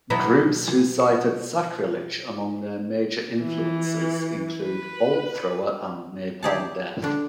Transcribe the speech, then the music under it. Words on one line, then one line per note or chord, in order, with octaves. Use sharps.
Groups who cited Sacrilege among their major influences include Bolt Thrower and Napalm Death.
B2 F#3 B3 E4 A4
E3
B4
E4 G4 G#4 A5
D3 D4